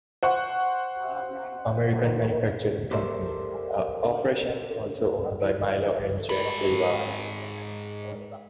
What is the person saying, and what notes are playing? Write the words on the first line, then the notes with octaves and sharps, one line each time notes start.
American Manufacturing Company, a operation also owned by Milo and Jacques Revah.
C5 F#5 C#6
G4 A4 A#4 C5 D5 E5
G#2 B5